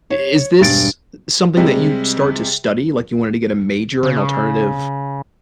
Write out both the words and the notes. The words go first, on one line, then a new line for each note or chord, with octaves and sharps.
i is this something that you'd start to study? Like, you wanted to get a major in alternative
C#5
E1 G2 A6 D7
C3 G3 G#3
C#3